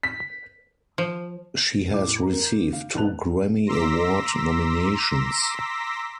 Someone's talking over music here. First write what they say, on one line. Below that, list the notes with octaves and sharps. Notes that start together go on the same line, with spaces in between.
She has received two Grammy Award nominations.
B6
F3
A2 D6
A#4 A#5
G6
F5
A#1 B3 A5 F#6 F7
A#5 C6 D6 E6 A#6 B6